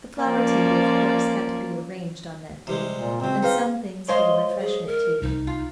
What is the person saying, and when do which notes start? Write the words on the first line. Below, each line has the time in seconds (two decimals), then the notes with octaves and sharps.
The flower table, of course had to be arranged on that day, and some things for the refreshment table.
0.20 F3 A#3 C#4 D5
2.67 C3 G3 G#3
2.97 A#2
3.20 C#2 F#3 C4
3.43 D#4 F4 G#4 B4 D#5 F5
4.08 G#3 C5 C#5 D#5 F5 C6
4.60 G#4
4.87 A#4
5.22 C2 D#4
5.47 F4